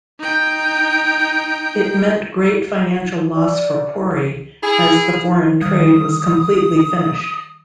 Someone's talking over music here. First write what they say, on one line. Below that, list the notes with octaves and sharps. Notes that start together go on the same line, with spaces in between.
It meant great financial loss for Pori as the foreign trade was completely finished.
D#4 G5
D5
E4 G#4
D#3 G3 D#6